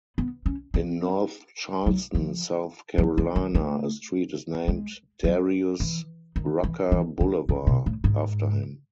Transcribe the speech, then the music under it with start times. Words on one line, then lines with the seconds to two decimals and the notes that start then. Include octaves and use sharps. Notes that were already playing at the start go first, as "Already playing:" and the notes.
In North Charleston, South Carolina, a street is named "Darius Rucker Boulevard" after him.
0.18 B3
0.46 C#4
0.74 C4
1.86 F#3
2.15 F3
2.98 F3
3.18 E3
3.36 D#3
3.55 A3
4.68 G#3
5.24 F#3
5.80 E3
6.36 D#3
6.63 E3
6.92 E3
7.20 D3
7.49 C#3
7.67 B2
7.86 A2
8.04 G#2